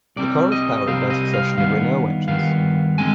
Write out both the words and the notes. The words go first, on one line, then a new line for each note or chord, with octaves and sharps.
The car was powered by a succession of Renault engines.
C2 C3 G3 C4 D5
D#5
C2 C3 G3 C4 F5
D#5
F5
G2 D#3 B3 F5
G2 D#3 B3 F5
D3 G#3 C4 G#5